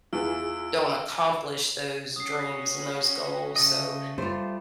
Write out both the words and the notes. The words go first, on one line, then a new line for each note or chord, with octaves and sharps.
don't accomplish those dreams and those goals, so,
E2 E3 F4 G#4 E6 D7
C#4 F#4 D#6 C7
C#3 A3 D#5
G3 A3 F4 C5